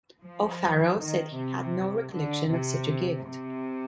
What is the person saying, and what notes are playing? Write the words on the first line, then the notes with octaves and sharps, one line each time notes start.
O'Farrell said he had no recollection of such a gift.
F3
D#3
C3
D3
C3
C3